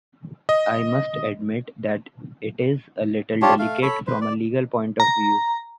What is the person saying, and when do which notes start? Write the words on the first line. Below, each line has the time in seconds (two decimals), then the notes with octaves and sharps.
I must admit that it is a little delicate from a legal point of view.
0.49 D#5
3.42 D4 F4 G4 C#5
3.59 A3 F5
3.82 A4 C#5 B5
4.07 B4 C5
4.21 D5
5.00 A#5